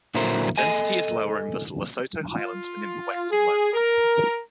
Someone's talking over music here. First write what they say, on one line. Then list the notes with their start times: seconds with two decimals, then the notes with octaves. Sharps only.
The density is lower in the Lesotho Highlands than in the western lowlands.
0.14 A#2 D3 F#3 E4 A#4 C5
0.57 A4 D#5 G#5
2.34 F4
3.30 G#4
3.74 A#4